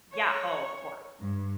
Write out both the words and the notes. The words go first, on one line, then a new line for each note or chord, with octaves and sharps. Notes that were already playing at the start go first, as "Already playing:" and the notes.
Yeah, oh, of cour
C#5
G2